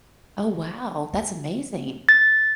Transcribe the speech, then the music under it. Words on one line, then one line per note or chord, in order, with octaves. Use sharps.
Oh, wow, that's amazing.
A6